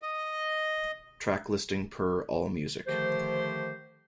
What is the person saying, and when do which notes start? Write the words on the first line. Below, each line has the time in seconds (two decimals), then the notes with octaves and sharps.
Track listing per AllMusic.
0.02 D#5
2.87 D3 D#3 F3 A3 G4 C5